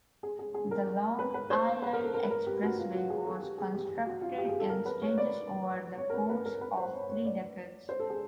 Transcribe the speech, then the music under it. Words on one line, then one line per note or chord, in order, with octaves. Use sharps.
The Long Island Expressway was constructed in stages over the course of three decades.
G#4
G#4
G#4
A#4
B4
B4
C5
B4
A#4
A4
A#4
B4
A#4
G4
F#4
F4
F#4
G#4
A4
G4
G#4
G4
F#4
F4
G4
G#4
A4
A#4
B4
C#5
D5
C#5
A#4
B4
B4
A#4
B4
C5
C#5
C#5
D5
C5
A4
G#4